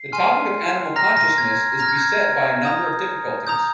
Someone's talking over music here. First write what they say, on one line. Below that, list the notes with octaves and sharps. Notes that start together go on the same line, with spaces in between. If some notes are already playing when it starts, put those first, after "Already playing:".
The topic of animal consciousness is beset by a number of difficulties.
Already playing: C7
G#5 C6 F6
A#5 F6 A#6
A#6
G#6
A#5 F6 A#6
G#6
G6
G#6
A#5 D#6 G6
A#5 D#6 G6